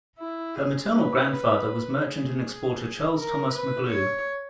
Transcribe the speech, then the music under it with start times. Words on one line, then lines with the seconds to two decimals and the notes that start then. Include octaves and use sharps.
Her maternal grandfather was merchant and exporter Charles Thomas McGlew.
0.19 E4
0.55 G#4
0.93 B4
1.30 B4
2.04 G#4
3.15 A#4
3.52 B4
3.89 C#5